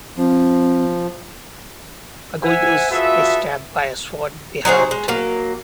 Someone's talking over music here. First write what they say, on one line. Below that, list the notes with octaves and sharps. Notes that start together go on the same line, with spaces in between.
Aguiluz is stabbed by a sword behind.
F3 C4
C5 E5 F#5 G#5
F4 F#4 G#4 A4 B4 E5
F#3 D#4 G#4 C5
G#3
F#3 A#3